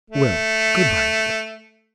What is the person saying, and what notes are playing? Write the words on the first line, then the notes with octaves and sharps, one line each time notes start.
Well, good-bye, dear.
A3